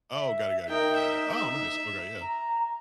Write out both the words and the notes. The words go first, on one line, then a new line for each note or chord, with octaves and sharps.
Oh, got it, got it, yeah, yeah. Oh nice, okay, yeah.
E5
D#4 A#4 G5
E5
A#5